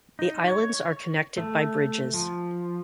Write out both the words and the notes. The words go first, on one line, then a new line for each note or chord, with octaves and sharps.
The islands are connected by bridges.
D#4
C#5
A3
F3